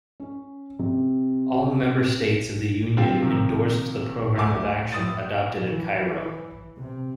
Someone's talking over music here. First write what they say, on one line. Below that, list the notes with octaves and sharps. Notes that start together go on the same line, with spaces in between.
All Member States of the Union endorsed the Programme of Action adopted at Cairo.
C#4
C3
D3 C4 F4 G4
C3 D#3 F3
D2 A3 E4 G#5 D6
A2 D#6 A6
E3
C3